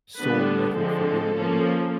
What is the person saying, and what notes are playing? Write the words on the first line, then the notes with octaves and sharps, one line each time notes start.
sole method for dealing with it.
D3 G3 B3 D4 B4
A4
D3 F3 G#3 C4
F3 A#3 C#4